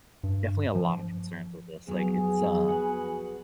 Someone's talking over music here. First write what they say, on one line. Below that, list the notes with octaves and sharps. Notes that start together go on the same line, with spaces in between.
definitely a lotta concerns with this, like, it's, uh,
G2
F3
F2 F#3 B3 G#4
F#4 B4